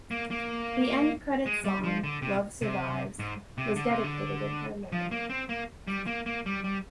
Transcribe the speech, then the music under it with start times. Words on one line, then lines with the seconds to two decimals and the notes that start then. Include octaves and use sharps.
The end credits song "Love Survives" was dedicated in her memory.
0.11 A#3
0.31 A#3
1.46 G#3
1.64 G3
1.84 F3
2.04 D3
2.22 C3
2.62 C3
3.19 G#2
3.58 C3
3.76 D3
3.90 C3
4.04 D3
4.92 F3
5.11 A#3
5.30 C4
5.49 A#3
5.88 G3
6.06 A#3
6.26 A#3
6.46 G3
6.64 G3